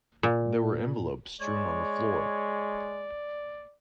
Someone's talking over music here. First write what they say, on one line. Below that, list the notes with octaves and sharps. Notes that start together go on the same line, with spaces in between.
There were envelopes strewn on the floor.
A#2
G#3 C#5 D5